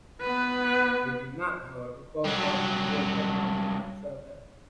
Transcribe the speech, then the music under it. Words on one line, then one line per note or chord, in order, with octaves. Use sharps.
They did not, however, qualify for the World Cup tournament in South Africa.
B3 B4
G2 F#3